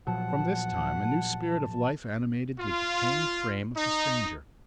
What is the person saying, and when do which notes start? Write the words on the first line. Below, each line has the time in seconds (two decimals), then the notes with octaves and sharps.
From this time a new spirit of life animated the decaying frame of the stranger.
0.07 A#2 F3 F#3 F#5 A5
2.59 F4
3.76 D#4